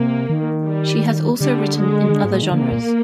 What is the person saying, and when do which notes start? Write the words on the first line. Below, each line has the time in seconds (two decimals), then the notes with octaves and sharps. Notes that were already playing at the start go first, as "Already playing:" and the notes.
She has also written in other genres.
Already playing: C3 A#3
0.30 D#3
0.66 G3
1.41 D3 G3
1.78 G#3
2.10 D#3
2.15 D3
2.24 G#2
2.34 A#2
2.43 D#3
2.52 D3 A#3
2.62 C3
2.71 A#2